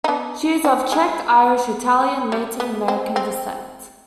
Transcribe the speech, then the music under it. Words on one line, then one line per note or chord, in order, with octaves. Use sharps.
She is of Czech, Irish, Italian and Native American descent.
D#4
B3 D4
C4
G#3
G3
B3
C4
C4